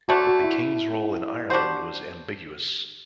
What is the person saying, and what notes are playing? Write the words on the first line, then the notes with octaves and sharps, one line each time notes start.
The King's role in Ireland was ambiguous.
D3 F#3 A3 D4 F#4
F#4
E4
G3 D4 F#4 C5